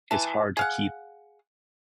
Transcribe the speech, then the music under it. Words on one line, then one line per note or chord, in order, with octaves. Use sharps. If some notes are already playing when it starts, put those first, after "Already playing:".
it's hard to keep
E3 A5
G#4 F5 F#5